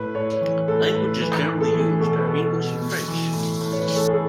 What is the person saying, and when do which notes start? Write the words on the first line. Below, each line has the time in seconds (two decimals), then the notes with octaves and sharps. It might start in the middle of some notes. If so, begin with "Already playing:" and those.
Languages generally used are English and French.
Already playing: A2 B4
0.15 A2 C#5
0.41 E3
0.68 A2 A4
0.94 A2 B4
1.21 E3 B4
1.48 A2
1.60 A4
1.66 G#4
1.74 E3
2.00 B2 A4
2.18 B4
2.27 B2 A4
2.54 B2
2.81 B2
3.08 E3
3.33 A2
3.61 A2
3.72 C#5
3.78 B4
3.87 E3
3.96 A4
4.08 G#4
4.13 A2 A4